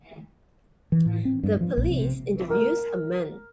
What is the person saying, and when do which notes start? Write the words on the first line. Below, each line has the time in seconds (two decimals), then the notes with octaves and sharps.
The police interviews a man.
0.92 E3
1.06 A2
1.25 C4
1.43 G2
1.61 F3
1.78 A#1
1.90 C3
2.50 A#4